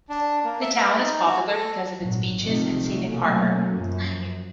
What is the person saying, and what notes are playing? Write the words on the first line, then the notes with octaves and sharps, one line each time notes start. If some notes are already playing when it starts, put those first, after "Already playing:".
The town is popular because of its beaches and scenic harbor.
D4
A#3
E5
B4
D#4
F#4
A4
G#1 A#2 F#3
C3 D#3 F3 A3
B2 F#3 A3 A#3 C#4
F#2 F3 F#3